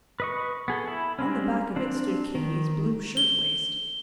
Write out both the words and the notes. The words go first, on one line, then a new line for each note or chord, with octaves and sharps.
On the back of it stood Katy's blue shirtwaist.
B4 D#5 C#6
B3 G#4 A4
E4 B5
G3 G#3 C4 C#4
C4 D4
D#3
G7